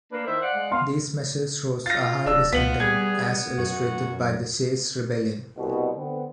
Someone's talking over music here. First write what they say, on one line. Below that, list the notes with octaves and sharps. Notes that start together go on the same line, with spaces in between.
These measures rose a high discontent as illustrated by the shays rebellion.
A#3 D4 B4
D#3 E4 C5 E5
D5 F5 F#5
G#3
B3 F5 C6
F4 A6 A#6
D1 D4 E6
C#2 B3 F4 B6 F#7
G3 G#4 G#6
F#2 F#4
C2 B2
D3 B3 C4